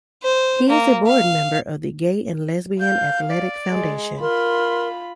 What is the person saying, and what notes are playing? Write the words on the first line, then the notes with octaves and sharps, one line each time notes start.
He is a board member of the Gay and Lesbian Athletics Foundation.
C5
A#3
F5
F5 G6
D5
G#3
F4 A#4 B5 C6